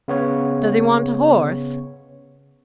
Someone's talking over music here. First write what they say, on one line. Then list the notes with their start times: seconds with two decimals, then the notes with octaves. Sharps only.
Does he want a horse?
0.08 C#3 B3 C#5